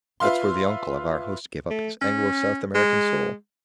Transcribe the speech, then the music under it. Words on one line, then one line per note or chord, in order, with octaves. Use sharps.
That's where the uncle of our host gave up his Anglo-South-American soul.
F4 B4 E5 F5 C6
A3
C#4
G#3